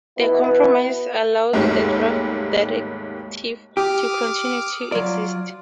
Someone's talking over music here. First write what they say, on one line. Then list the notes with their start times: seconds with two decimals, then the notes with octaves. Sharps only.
The compromise allowed the draft Directive to continue to exist.
0.18 B2 B3 E4
1.53 D#2 G#2 F#3 G3 A3 A#3
3.77 G4 D6 D#6 F6
4.92 F#3 F4 D5